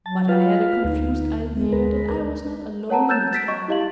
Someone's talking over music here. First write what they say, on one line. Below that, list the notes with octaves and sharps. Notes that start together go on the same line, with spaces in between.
But I had a confused idea that I was not alone in the tavern.
F#3 A5
F4 B4 F5
D2 D#4
G#3
D2 A#4 B4
A#4 C#5 F#5 A5 A#5
E6 F#6 G6 A6 E7
A6 B6 D7
D#5 C#6
E4 G4 D#5 F5 F#7